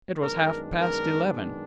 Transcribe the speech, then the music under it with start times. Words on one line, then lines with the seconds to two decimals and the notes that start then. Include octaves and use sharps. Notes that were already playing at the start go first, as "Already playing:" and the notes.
It was half-past eleven.
0.20 F#2 D#3 G#3 B3 D4 A#4
0.80 A#4